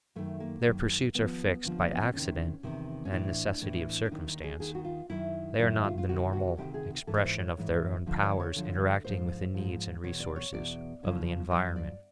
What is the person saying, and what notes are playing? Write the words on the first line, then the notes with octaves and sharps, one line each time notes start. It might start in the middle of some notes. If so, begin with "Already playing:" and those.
Their pursuits are fixed by accident and necessity of circumstance; they are not the normal expression of their own powers interacting with the needs and resources of the environment.
F#2 D#3 A3
A#3
F#2 D#3
D#2 D3 F3 B3
D#2 D3 F3
A#3
B3
C4
E2 C3 D#3 C#4
E2 C3 D#3
C#4
A2 E3 D4
A2 E3
D4
D#2 D#3 D#4
D#4
G#4
D#2 D#3 G#4
F#4
F4
F#2 D#3 E4
F#2 D#3 E4
F4
F4
D2 C3 D#3 F#4
F#4
D2 C3 D#3 G4
G#4
G#2 E3 A4
C#5
C5
C#5
G#2 E3
D2 D3 F3
C#5
C#5
D2 D3 F3
G#2 F3 C5
G#2 F3
E2 B2 C#5
D5
C#5
E2 B2 D5
F#2 C#3 F3
F#2 C#3 F3 D#5
D5